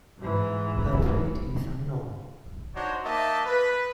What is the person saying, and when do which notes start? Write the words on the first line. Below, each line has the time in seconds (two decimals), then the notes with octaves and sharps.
Her fate is unknown.
0.18 G#2 E3
2.76 D4 D#4 F#4 C5 C#5
3.05 A#3 D#4 D#5 E5 A5
3.46 B4